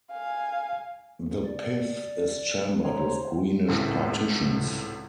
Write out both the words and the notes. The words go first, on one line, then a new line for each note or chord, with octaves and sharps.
The pith is chambered with greenish partitions.
F5 G#5
D5
C5 C#5 A#5
G#1 C#2 A2